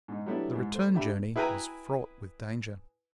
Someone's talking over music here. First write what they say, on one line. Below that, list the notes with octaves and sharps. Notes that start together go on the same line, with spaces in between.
The return journey was fraught with danger.
G#2 D#4
F#3 G3 A3 B3 D4 E4
G#2
A3 C5
D4 G4 E5 B5
E4 G#4 B4 G5 G#5 A#5